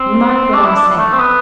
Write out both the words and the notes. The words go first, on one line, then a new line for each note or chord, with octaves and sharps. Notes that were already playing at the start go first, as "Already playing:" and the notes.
You mark what I say.
Already playing: C4
D4
E4
D4
A3
C4
B3